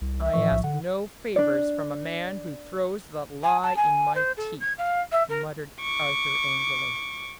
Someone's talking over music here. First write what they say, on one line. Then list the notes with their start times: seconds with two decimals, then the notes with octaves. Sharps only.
"I ask no favors from a man who throws the lie in my teeth," muttered Arthur angrily.
0.01 C2
0.21 E5
0.34 A2 E3 F3 C#6
0.51 B1
0.64 D3 F#5
1.36 D4 D5
3.43 G#5
3.63 A5
3.76 G#5
4.15 C5
4.37 A4
4.60 G#6
4.78 F5
5.11 E5
5.29 A#4
5.81 C#6 D6